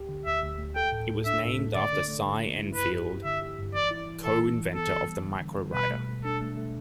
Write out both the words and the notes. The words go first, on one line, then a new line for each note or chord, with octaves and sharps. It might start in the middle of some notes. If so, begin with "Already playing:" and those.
It was named after Cy Endfield, co-inventor of the Microwriter.
Already playing: D2 G4
D3
D2 E5
D2
D2
A4 G5
A2
A2
D4 E5
A2
A3
D3 D5
D3
A3
D3
A3
E4
G2 B4
G4
G2
D3 E5
G4
G2
E3 D5
E4
E3
E3 A4
E3
E3
B3 A4
D3
G3
D3
D3
G3
B2 B4
A3
A3
D4 A4
A3
A3